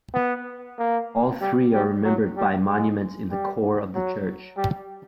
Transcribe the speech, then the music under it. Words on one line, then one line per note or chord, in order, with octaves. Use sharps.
All three are remembered by monuments in the core of the church.
B3
A#3
G3
G3
F#3
G3
G#3
G3
F#3
G3